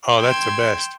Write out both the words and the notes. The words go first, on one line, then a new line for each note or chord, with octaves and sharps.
Oh, that's the best.
G5 C6 E6 G#6